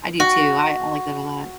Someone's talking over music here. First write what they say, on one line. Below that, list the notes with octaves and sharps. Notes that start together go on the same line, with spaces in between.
I do too. I I like that a lot.
F#4